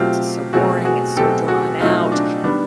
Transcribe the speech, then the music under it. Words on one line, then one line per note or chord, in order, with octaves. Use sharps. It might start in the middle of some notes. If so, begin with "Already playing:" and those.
is so boring, it's so drawn out."
Already playing: B2 F#3 A3 C4 F4 G4
B2 F#3 A3 C4 F#4 G#4
F#4 G#4
B2 F#3 A3 C4 G4 A4
F#4 G#4
B2 F#3 A3 C4 D#4 F4
D4
D#3 G3 B3 D4